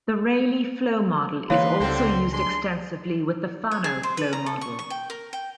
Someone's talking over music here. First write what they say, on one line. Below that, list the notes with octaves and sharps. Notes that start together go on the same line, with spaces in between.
The Rayleigh flow model is also used extensively with the Fanno flow model.
G#2 D3 E3 A#3 B4 C#5 F5 C6
C#2 D3 G3 C4
G#3 D4 C6
C#5
G#4
C5
B4
A#5
A4
C#6
C#6
G5
A#4
G5